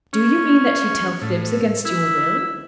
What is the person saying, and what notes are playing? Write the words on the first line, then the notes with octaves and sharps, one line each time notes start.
"Do you mean that you tell fibs against your will?"
C#4
A2
E4